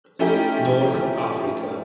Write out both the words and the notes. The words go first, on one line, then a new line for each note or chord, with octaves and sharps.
North Africa.
F3 A3 C#4 D#4 E4 G4